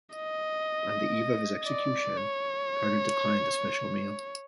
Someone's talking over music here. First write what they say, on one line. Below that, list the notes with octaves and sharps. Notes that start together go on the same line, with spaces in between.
On the eve of his execution, Carter declined a special meal.
D#5
D5
C#5